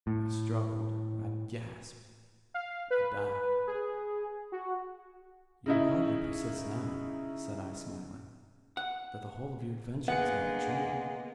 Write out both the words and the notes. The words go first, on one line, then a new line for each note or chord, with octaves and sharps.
I struggled--I gasped--I died." "You will hardly persist now," said I smiling, "that the whole of your adventure was not a dream.
A2
F5
B4
G#4
F#4
C#3 D#4 E4
F#5
D3 G#3 A#3 B3 F#5 C#7